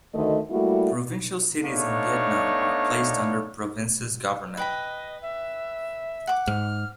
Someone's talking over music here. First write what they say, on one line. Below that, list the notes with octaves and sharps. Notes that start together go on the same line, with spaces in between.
Provincial cities in Vietnam are placed under the province's government.
D2 D#3 A3 D#5
G3 A3 A#3 E4 F#4
A3 B3 D4 D#4 C#5 F5
B4 D#5 G5 B5
E5
F#5 D6
G#2 F6